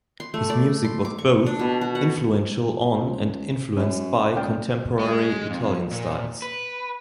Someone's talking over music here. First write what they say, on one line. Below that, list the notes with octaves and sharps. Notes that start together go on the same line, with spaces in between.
His music was both influential on, and influenced by, contemporary Italian styles.
C6
A3
D5
C6
D6
C#6
D4
B2
F#4
F#5
C#2 F4 C5
F#2 C#4 B4
C#2 D5 F5 G5
G#3
F2
A#2
B4